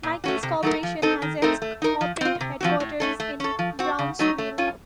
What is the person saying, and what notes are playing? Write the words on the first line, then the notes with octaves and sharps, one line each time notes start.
Michels Corporation has its corporate headquarters in Brownsville.
A#2
A3 C#4 F#4
C3
F#3 A3 D#4 A#4
F3
C4 D#4 A4
D#3
A3 C4 D#4 A#4
A3
D#4 A#4
F3
C4 F4
C3
F3 C4 F#4
A2
A3 C#4 A4
A3
C#4 A4
F3
C4 F#4
C#3
F#3 A3 D#4
A3
C#4 F4